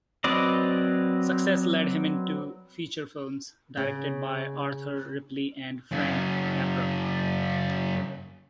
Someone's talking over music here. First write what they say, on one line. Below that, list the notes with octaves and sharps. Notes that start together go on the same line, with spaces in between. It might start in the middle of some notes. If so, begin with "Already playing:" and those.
Success led him into feature films, directed by Arthur Ripley and Frank Capra.
F#3 C4 B4 D5 D#5
C#3
F#2 C#3